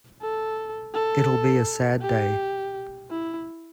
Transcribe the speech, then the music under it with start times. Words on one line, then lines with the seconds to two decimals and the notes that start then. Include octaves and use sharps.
It'll be a sad day.
0.22 A4
0.94 A4
2.02 G4
3.10 E4